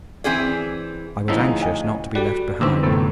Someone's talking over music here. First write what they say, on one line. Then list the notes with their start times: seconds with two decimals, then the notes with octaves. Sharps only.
I was anxious not to be left behind.
0.24 E3 C4 G#4 D5
1.28 D2 C#3 F3 D#4 E4
1.62 D#5 G5 G#5
2.15 G3 F#4 G4 A4 G5
2.61 E2 D3 G3 C4 D4 D#4 B4 E6
2.83 F#2 A2 C3 B3 A4